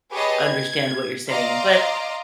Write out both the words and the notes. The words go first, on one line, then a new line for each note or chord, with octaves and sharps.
understand what you're saying, but
G4 G#4 B4 C#5 D#5 A5
G#6
D5 D#5 F5 A#5 C6